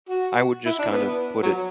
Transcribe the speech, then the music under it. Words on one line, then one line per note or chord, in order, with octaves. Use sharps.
I would just kind of put it
F#4
E4
D4
B3
F#3